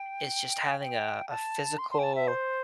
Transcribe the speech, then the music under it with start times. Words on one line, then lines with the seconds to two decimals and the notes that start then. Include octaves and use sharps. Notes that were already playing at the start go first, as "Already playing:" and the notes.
is just having a a physical
Already playing: G5
0.80 G5
1.29 A5
1.78 C6
1.91 C6
1.99 G5
2.03 A5
2.15 E5
2.28 C5